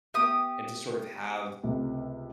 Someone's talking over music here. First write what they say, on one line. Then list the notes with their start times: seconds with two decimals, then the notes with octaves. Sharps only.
and to sort of have
0.14 B3 G4 E5 D#6
1.64 C#2 C3 A3